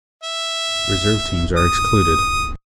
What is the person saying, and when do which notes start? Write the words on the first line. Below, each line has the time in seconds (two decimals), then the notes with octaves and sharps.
Reserve teams are excluded.
0.23 E5
1.57 D#6